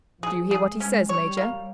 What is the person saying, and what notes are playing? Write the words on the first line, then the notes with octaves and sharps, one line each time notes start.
"Do you hear what he says, major?"
F3 G#4
G#4
G#3
C#4
G3 C#5
A#3